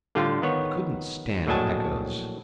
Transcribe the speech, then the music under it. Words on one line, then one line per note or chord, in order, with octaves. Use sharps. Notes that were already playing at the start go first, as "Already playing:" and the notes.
He couldn't stand echoes.
A2 D3 G3 F4
D#3 B3 C#5
A#1 A2 F#3 D#5 G#5 A5